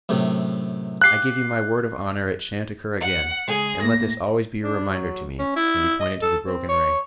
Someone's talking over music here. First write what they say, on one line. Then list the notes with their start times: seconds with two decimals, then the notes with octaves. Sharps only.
"I give you my word of honor it shan't occur again, and let this always be a reminder to me," and he pointed to the broken ring.
0.09 F#2 A2 C3
1.02 G4 F5 F#6 C7
3.01 F#5
3.48 C#3 G#3 G#4
3.83 A2 A#3 A#6
4.63 D4
4.89 F#3
5.39 C#4
5.56 E4
6.00 D#5
6.22 A4
6.47 C4
6.69 C#5